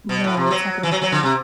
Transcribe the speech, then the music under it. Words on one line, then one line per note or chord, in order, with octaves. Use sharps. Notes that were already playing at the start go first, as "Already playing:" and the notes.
No, what's happening with that?
B2
A2
C3
F#3
E3
F#3
F#3
D3
C3